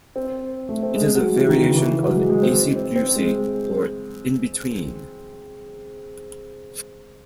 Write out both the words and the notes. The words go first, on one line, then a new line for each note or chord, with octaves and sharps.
It is a variation of acey-deucey or in-between.
C4
A3
C4
G#3
F#3
E3
D#3
C#3
E3
F#3
G#3
G#3
C4
C4
C4
G#3